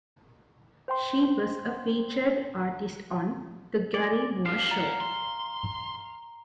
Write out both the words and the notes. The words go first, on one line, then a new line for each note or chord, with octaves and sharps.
She was a featured artist on "The Garry Moore Show".
C5 G5 C6
D5
D4 G4 F5
D5 F#5 A#5
C6